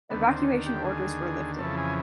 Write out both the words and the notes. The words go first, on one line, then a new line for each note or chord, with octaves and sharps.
Evacuation orders were lifted.
D#2 D3 B3
C4
G4
G#4
F2 C#3 E3 A4
G#4